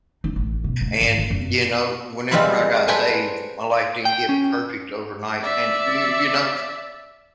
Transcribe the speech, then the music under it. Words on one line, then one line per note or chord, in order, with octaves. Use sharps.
and, you know, whenever I got saved, my life didn't get perfect overnight and, you you know,
D#4
A1
B2
D2
G#1
A#3
F#2
G3 G#3 C4 F4 E5 B5
A4 B4 C5 D5 G5 G#5
G5
C#4
D5 E5